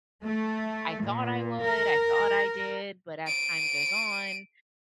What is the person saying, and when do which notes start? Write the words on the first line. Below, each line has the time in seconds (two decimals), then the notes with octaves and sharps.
"I thought I would. I thought I did." But as time goes on,
0.25 A3
1.04 A#2
1.64 A#4
3.27 D7 D#7